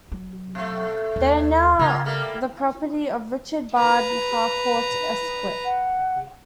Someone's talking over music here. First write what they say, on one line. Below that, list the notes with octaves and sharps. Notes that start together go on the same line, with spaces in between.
They are now the property of Richard Bard Harcourt esq.
F#3
B2 A3
D#2 F4
C#3 A#3 F4
G3 A3 A#3
B4 A#5
F#5